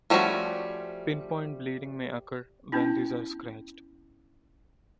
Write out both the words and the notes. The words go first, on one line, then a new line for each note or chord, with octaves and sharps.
Pinpoint bleeding may occur when these are scratched.
F3 G3 A3 C#4 F#4
B3 C#4 D4 E4